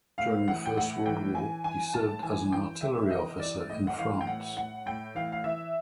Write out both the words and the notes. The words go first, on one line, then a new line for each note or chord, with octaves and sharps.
During the First World War, he served as an artillery officer in France.
A2 F5
E3 F#5
G5
A2 F#5
E3 G5
E3 G#5
E3 G#5
A2 A5
E3 G#5
E3 G5
C3 E5
E3 D#5
E3 D5
A2 D#5
F#5
E3 F5
G5
A2 F#5
A2 F#5
A2 G5
E3 F5
F5
E3 E5